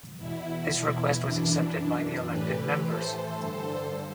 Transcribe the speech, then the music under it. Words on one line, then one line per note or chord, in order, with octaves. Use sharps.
This request was accepted by the elected members.
E2 B2 E4
F#2 E3 D4
A2 E3 G4 B4
A4 C5
G2
D3